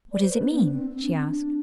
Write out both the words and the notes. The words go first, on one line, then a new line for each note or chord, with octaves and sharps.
"What does it mean?" she asked.
D5
C5
B4
D4
B3
D4
C4
C4
D4
C4
D4